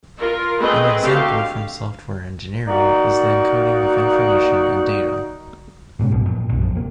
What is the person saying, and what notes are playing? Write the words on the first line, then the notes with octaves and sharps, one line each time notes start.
An example from software engineering is the encoding of information and data.
F4 A#4
A3 C4 G#4 B4 D#5
D3 A3 C4 F#4 G4 F5
F5
A#3 D#4 F#4 D5
G#2 B2 G#3 C#4
A#1 F#2 B2
F2 A#2
F1 B1 F#2
A#1 F2 F3
F1 A#3